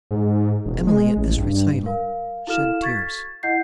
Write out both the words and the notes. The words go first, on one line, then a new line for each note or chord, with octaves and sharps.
Emily, at this recital, shed tears.
G#2
E1
G#3
A1
G2
A#4 F5
E4 F#4 A4 F5 F6 E7
C#6 G#6 A6 B6
E4 D#5 F#5 G6 C7